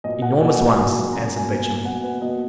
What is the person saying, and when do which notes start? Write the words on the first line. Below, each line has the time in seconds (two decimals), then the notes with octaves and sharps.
"Enormous ones," answered Beauchamp.
0.04 A#2 F#3 A#3 D#5
0.22 F#5
0.40 A#2 F#3 A#3 G#5
0.54 F#5
0.68 G#5
0.77 F#2 C#3 F#3 A#3
1.12 F#2 C#3 F#3 A#3 A#5
1.25 G#5
1.37 G#5
1.49 B2 A#3 G#5
1.67 G#5
1.85 B2 A#3 F#5
2.03 B4
2.21 B2 A#3 D#5